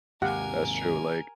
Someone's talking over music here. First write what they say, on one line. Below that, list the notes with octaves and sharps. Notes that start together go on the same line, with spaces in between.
That's true, like
D#2 G#2 C3 G4 A#4 F5 F#5 G#5